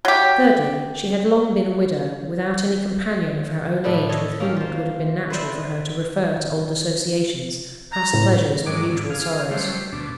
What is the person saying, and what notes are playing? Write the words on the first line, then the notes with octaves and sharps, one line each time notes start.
Thirdly, she had long been a widow, without any companion of her own age with whom it would have been natural for her to refer to old associations, past pleasures, or mutual sorrows.
F#3 G4
A2 C3 D4 B4
A4 C#5 D#5
A#3 C#4 G4 A#4
F4 C5
B4 C5 D5 E5
A#5
A2
G#2 F#3 G#3 D5 D6
G#2 D3 E3
G#4 F5
F#3 G3 A3 C5
D2 B2 D4